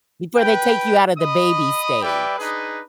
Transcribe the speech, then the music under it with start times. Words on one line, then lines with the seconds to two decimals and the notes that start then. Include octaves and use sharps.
Before they take you out of the baby stage
0.37 B4 G5
1.18 D#5 B5 D#6
2.03 G3 B4 D5 E5 G5
2.39 D4 D#4 G#4 B4